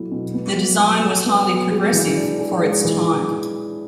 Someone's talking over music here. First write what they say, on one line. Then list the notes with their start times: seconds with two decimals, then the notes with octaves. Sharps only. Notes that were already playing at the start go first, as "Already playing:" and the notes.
The design was highly-progressive for its time.
Already playing: B2 F#3 A3 E4
0.12 B2
0.34 B3
0.57 F#3
0.79 F#4
1.02 A4
1.25 B3
1.47 F#3
1.70 G#3
1.93 E3
2.16 D4
2.39 G#4
2.61 G#3
2.85 E3